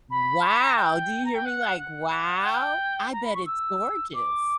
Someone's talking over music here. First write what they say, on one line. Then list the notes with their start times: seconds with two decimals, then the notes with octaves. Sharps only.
Wow! Do you hear me? Like, wow, I bet it's gorgeous.
0.11 B5
0.66 A#5
0.78 G5
1.25 A#5
1.35 G5
1.45 F#5
1.79 F#5
2.36 F#5
2.46 G5
3.13 A#5
3.23 B5
3.34 C#6
3.46 E6
4.14 D6